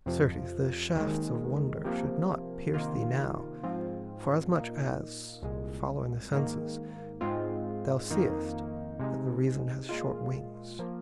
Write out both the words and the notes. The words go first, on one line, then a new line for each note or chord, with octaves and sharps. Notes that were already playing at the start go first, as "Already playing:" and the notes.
Certes, the shafts of wonder should not pierce thee Now, forasmuch as, following the senses, Thou seest that the reason has short wings.
F2 C3 F3
D#2 D#3 G#3
C3 F3 A#3
C3 D#3 A#3 F4
G#2 F3 C4 F4
A#2 A#3 D#4
C2 A#2 G#3
G#2 D#3 A#3
G#2 G#3 C4 F4
F2 D#3 A#3 D#4
C3 G#3 D#4
A#2 G#3 F4
F3 A#3